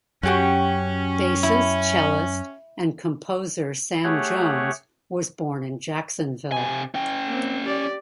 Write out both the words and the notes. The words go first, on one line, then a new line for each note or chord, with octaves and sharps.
Bassist, cellist, and composer Sam Jones was born in Jacksonville.
F#2 C#4 F#4 G4 F#5
E4
A3 G4 G#4 C#5 F#5
C3 G#5
C#4 G5
A#3 C4
G4 D5